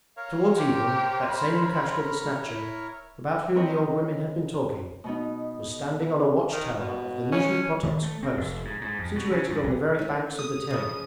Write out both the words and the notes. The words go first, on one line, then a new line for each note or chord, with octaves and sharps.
Towards evening, that same Lukashka the Snatcher, about whom the old women had been talking, was standing on a watch-tower of the Nizhni-Prototsk post situated on the very banks of the Terek.
A#4 C#5 F5
G4 C5
B5
E4
C4 A#4 B4 C#5 D#5 G5
B2 B3 D#4
D#3
B2
C#4
D#3
A3
C4
F1
G#2
G#2
F2
B2
C#3
G2
A#1
A3 C#4
D#6
C#3 E3 F3